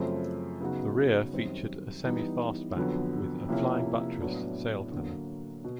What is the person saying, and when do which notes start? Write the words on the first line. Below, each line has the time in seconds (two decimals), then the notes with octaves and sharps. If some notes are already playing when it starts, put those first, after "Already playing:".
The rear featured a semifastback with a "flying buttress" sail-panel.
Already playing: F#2 C#3 F3 A3 C4
0.60 C#3 F#3 B3 D#4 F#4
1.33 F#2 D#3 G3 C4
2.04 E3 G3 B3 D#4
2.77 F2 D3 F#3 B3
3.49 C3 F3 A#3 C#4 E4
4.20 A2 F#3 B3 D4
4.92 D3 F#3 A#3
5.64 B2